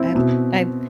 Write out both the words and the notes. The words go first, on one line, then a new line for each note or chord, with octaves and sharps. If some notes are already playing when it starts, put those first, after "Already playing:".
I l I I
Already playing: C4 E4
B2